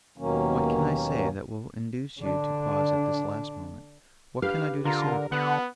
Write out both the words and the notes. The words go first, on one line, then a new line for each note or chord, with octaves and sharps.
What can I say, that will induce you to pause at this last moment? What can I do to save you?'
D#2 B2 D#3 F#3 A#3 C#4
D3 D4
D4 G4 B4 F5
D3 F4 A#4
D3 B3 F#5